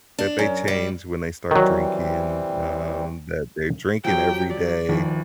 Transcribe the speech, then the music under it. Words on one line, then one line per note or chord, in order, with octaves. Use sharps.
that they change when they start drinking, um, that they're drinking every day,
D4
F#2
G3
D#3 E3 F#3 G3 C4
F3 F#3 G4 G5
D5
D#2 D#3 F3